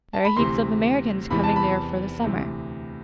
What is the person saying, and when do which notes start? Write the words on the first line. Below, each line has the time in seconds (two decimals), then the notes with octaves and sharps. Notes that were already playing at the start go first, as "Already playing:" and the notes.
There are heaps of Americans come there for the summer.
0.13 A5
0.25 B5
0.36 D2 C3 E3 C6
1.30 E2 C3 E3 B5
1.44 A5
1.56 B5
2.24 D2 C3 E3